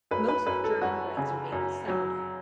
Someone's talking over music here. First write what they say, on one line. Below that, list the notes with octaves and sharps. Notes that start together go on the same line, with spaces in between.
Most German breads are made with sourdough.
F#2 B4
B4
F#2 B4
A4
F#2 F#4
C#3
F#2
F#3